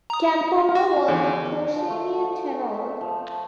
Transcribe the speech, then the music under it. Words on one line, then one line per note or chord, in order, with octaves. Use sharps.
Campora was a Puccinian tenor.
A#5 D#6
F#4
E2 D3
D#3
F3
A3
C5
E5
F3
C5